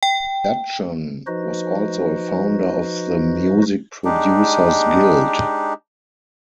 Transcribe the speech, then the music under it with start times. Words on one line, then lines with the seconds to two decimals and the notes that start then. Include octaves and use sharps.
Dudgeon was also a founder of the Music Producers Guild.
0.03 G5
1.27 F3 D#4 F#4 B4 C5 D#5
4.05 G#3 D4 D#4 G4